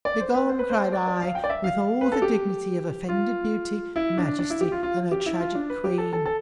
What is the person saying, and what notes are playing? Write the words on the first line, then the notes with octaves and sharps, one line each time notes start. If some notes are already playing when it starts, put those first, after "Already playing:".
Begone! cried I, with all the dignity of offended beauty, majesty, and a tragic queen.
D5
C5
B4
C5
B4
C5
D5
D5
F5
G5
D5
E5
F5
B4
A4
G4
F4
E4
D4
D4
E4
G4
F4
F4
G4
E4
F4
D4
B4
G4
A4
A4
A4